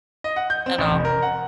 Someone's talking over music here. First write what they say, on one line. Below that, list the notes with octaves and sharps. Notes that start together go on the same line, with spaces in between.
at all.
D#5
F#5
G6
C4
A1
F1
A#4
F#5